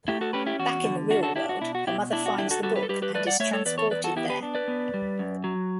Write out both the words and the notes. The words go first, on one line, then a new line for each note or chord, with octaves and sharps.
Back in the real world her mother finds the book and is transported there.
A3 E4 G4
F#4 A4
C#4 G4 B4
E4 G4
E2 F#4
D3
D4 F#4
F#4 A4
D4 E4 G4
F#4
B2 E4
F#4
B2 E4 G4
D4 E4
F#4
D3 E4 G4
F#4 A4
G3 F#4 A4
G4 B4
A4
G3 G4 B4
G4 B4
A3 B4 D5
D5 F#5
A3 C#5 E5
A4 C#5
E2 B4 D5
A4 C#5
E2 B4 D5
F#4 A4
B3 E4 G4
G4 B4
D4
B4 D5
B3
G3
F#2
F#3